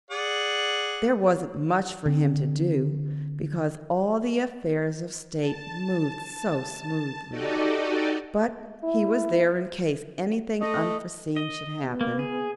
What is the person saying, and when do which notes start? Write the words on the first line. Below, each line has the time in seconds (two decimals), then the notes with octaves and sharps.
There wasn't much for him to do, because all the affairs of state moved so smoothly, but he was there in case anything unforeseen should happen.
0.11 G#4 D5 F#5
2.06 D3 C4
5.40 A5
7.31 D#4 F#4 G4 A4 D5 D#5
8.84 E4
10.61 A3 D#5
11.36 D#5
11.83 B3
12.01 A#3
12.19 G#4